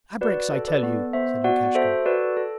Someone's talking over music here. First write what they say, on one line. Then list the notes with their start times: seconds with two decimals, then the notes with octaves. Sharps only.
'Abreks, I tell you!' said Lukashka.
0.21 F#4 B4 D5
0.53 A4
0.68 B4 D5
0.83 B3
1.13 B3 C5 E5
1.44 F#4 D5 F#5
1.75 A4 C5 E5
2.06 F#4 B4 D5
2.37 A4